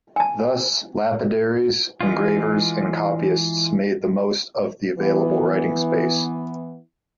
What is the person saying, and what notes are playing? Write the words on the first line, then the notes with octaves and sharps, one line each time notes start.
Thus, lapidaries, engravers and copyists made the most of the available writing space.
G#5 A5
E3 G#3 F4
E3 B3